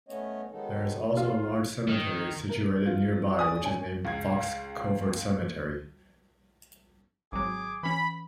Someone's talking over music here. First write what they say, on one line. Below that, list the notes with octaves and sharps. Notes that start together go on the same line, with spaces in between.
There is also a large cemetery situated nearby which is named Fox Covert Cemetery.
A3 B3 C#4 C#5 D#5
D#3 F#3 G#3 B3 D#4 A4
F4
D#3
A#4
F4
D5 G#5 D#6
C#4 G#5
C#2 G#6
G#1 F#3 G#4 D6
E3 C#4 B5